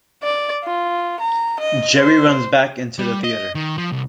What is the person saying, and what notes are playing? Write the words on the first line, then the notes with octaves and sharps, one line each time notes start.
Jerry runs back into the theater.
D5
F4
A#5
D#5
C5
G3
D#5
D#3
F3
C2